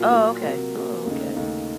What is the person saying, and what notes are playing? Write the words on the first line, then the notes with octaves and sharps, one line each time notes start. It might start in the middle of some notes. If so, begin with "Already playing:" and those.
Oh, okay, oh, okay
Already playing: A#2 F#3 A#3 F4
A#2 F#3 A#3 F4
C3 F#3 A#3
C3 F#3 A#3
D#2 C#3 A3 D#4
D#2 C#3 A3 D#4